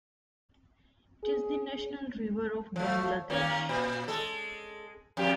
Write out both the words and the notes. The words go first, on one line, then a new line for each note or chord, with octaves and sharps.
It is the National river of Bangladesh.
G#4
F3 A3
D#2 A#3 C#4
A#2
G#3 A4
F2 G4